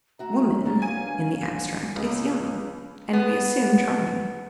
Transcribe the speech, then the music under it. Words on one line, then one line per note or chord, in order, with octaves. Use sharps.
"Woman" in the abstract is young, and, we assume, charming.
D2 F#4 E5 A#5
F#3 A#3 B3 C#4 D4
F5 G#5 D#7
C#2
B3